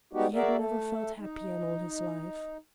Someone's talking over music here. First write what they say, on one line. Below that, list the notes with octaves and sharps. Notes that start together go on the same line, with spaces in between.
He had never felt happier in all his life.
G3 G#3 B3 D#4 F#4 G4
F#4 G#4 A#4 D5 E5
A3 A4
D#4